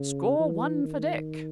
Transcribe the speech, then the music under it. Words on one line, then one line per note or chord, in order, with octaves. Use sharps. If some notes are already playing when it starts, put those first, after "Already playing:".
Score one for Dick.
Already playing: C#3
E3
D#3